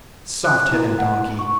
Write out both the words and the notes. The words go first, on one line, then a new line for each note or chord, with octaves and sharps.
Soft-headed donkey!
F#6
E4
F#5
C#6